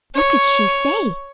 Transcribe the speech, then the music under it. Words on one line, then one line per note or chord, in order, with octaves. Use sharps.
What could she say?
C#5